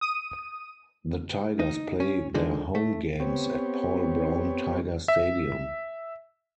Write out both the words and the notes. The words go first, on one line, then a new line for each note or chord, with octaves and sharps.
The Tigers play their home games at Paul Brown Tiger Stadium.
D#6 D#7
D#4
C#4
D3 D#3 F3 G#3
A3
B3 C4 G4 C#5
E5